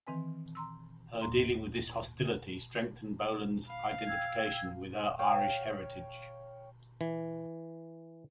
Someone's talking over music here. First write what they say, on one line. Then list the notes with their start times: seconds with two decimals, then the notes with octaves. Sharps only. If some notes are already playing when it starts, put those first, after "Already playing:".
Her dealing with this hostility strengthened Boland's identification with her Irish heritage.
0.07 D#3 E3 C4 B4 G#5
0.55 A#5 C6 E6
1.21 D#2 A2 A#3 A#5 C6
3.67 F5 B5
4.07 G5 E6 G#6
5.19 C#5 F5 G5
7.01 E3